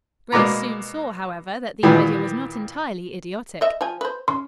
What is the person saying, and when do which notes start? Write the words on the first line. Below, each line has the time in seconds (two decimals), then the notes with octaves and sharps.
Grace soon saw, however, that the idea was not entirely idiotic.
0.32 B2 G#3 A#3 D5 A#5
1.83 A#2 D#3 E3 G3 B3 G4
3.61 D#5 E5
3.81 F3 G#5
4.01 B4 C5
4.28 C#4 C6